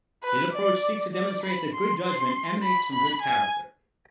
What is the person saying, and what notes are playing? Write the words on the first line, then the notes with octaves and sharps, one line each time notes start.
His approach seeks to demonstrate that good judgment emanates from good character.
B4
D5
D5
B5
C6
C6
B5
B5
G#5